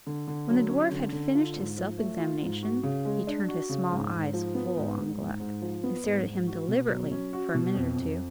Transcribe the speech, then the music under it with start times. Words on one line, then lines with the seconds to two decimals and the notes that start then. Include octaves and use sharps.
When the dwarf had finished his self-examination, he turned his small eyes full on Gluck, and stared at him deliberately for a minute or two.
0.07 D3
0.27 D3
0.49 F#3
0.70 C#4
0.91 D3
1.13 D3
1.35 F4
1.56 G#2
1.77 F3
1.98 A3
2.19 F4
2.42 G#2
2.63 F#4
2.83 C#3
3.05 G#3
3.27 D4
3.48 F#4
3.69 C#3
3.90 G#2
4.12 G#2
4.34 F3
4.55 B3
4.77 G#2
4.97 G#2
5.19 G#2
5.40 G#2
5.62 F3
5.84 B3
6.04 G#2
6.26 G#2
6.47 F#4
6.68 B2
6.90 F#3
7.11 C#4
7.33 F#4
7.54 B2
7.75 F2
7.96 F2